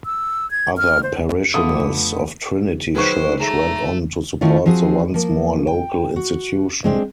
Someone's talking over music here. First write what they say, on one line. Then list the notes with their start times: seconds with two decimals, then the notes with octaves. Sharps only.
Other parishioners of Trinity Church went on to support the once more local institution.
0.05 E6
0.51 G#6
0.77 F6
1.03 C5
1.54 F2 D3 A3 B3 F4 D#6
2.95 D#3 F#3 G#4 B4 C5 C#6
3.40 G#3 A3 A#5
4.41 D#3 A3 C#4 E4 F4
4.66 F3 C4 F#4 G#4
5.14 F3 A#3
5.67 G5
6.16 F#4
6.84 G#3 C4 D4